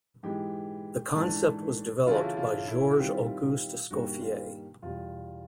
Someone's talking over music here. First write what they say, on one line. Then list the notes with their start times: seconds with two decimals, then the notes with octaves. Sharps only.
The concept was developed by Georges Auguste Escoffier.
0.23 G#2 E3 G#3 B3 G4
1.15 G#2 E3 A3 D4
2.06 C#3 E3 A3 C#4 E4 F4
2.15 F#4
2.24 F4
2.37 F4
2.68 E4
2.91 F#4
2.98 D#3 G3 C4 E4 F4
3.90 G2 D#3 G3 A#3 F#4
4.21 F4
4.82 E2 B2 G3 F4